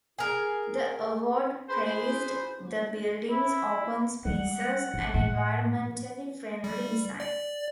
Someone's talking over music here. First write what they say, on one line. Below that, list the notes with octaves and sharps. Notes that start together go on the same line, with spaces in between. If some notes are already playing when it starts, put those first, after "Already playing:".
The award praised the buildings open spaces and environmentally friendly design.
G#4 A#4
G#4 B4 C5
E4
G3 G#3 F#5
G#1
A2
G3
D5